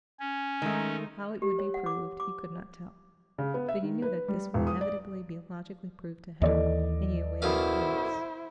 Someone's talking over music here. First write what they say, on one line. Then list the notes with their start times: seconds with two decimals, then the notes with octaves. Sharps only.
How it would be proved he could not tell, but he knew that this would inevitably be logically proved to him, and he awaited the proofs.
0.20 C#4 G#5
0.62 D#3 G#3 A3 D#4
1.42 G4
1.59 C#5
1.74 F#5
1.86 D6
2.20 D6
3.38 C#3
3.54 B3
3.69 E5
3.83 D#3
4.02 B4
4.28 G3
4.54 E1
4.67 D#6
4.81 D5
6.42 D#2 E3 A4 D5 D#5
7.42 B1 F#2 E4 C5 F5